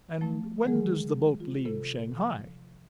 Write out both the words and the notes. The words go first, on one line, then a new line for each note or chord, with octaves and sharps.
"And when does the boat leave Shanghai?"
F3 A3 A5
D#3 E3 F#3 G#3 G#4 A#4
F4
C3 A4
F3